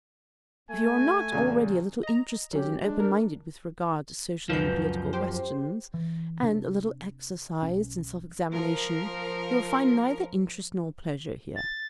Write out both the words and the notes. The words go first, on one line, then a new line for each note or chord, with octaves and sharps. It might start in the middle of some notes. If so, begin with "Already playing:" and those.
If you are not already a little interested and open-minded with regard to social and political questions, and a little exercised in self-examination, you will find neither interest nor pleasure here.
A3 G#5
E2 A#2 C#3
D#5 A#5
F#3 C#4 G4
G#3 D4
A#4
C#2 F#2 F3 B4 G6
G4 C5
E3
C3 D4
B1 C#4
F3 A#4
A6